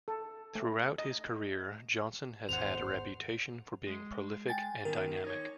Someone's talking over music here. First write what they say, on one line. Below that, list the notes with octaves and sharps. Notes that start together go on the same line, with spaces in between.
Throughout his career, Johnson has had a reputation for being prolific and dynamic.
A4
A3
D#5
G#1 E2 C5 F#5 F7
G#3
G5 G#5 A6
D#3 B3 A#4
D#4 C#5